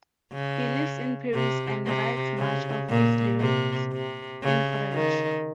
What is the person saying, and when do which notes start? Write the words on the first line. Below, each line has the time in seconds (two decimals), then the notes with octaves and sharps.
He lives in Paris and writes much of his lyrics in French.
0.33 C#3
1.34 C3
1.86 C3
2.38 C#3
2.89 A#2
3.40 C3
3.92 C3
4.43 C#3
4.94 D#3